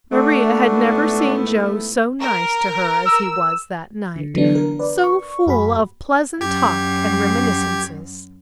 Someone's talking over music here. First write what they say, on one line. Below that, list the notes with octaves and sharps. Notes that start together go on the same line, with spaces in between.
Maria had never seen Joe so nice to her as he was that night, so full of pleasant talk and reminiscences.
A3 D4 F#4
G#2 B3 E4
A3
A#4
E6
D3
D3 E3 F#3 G3 B3 D4
A#4
B4 D5
C#6
F#2 F#4 G#4 B5
F#2 G4 G#6